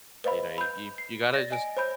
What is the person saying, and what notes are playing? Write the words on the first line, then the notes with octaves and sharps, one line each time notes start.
you know, you you gotta just
B4 C5 D#5 F5 B5
B5 G6
C7
D5 A6 A#6
D#5 G#5 D7
C5 C#5 B5 G6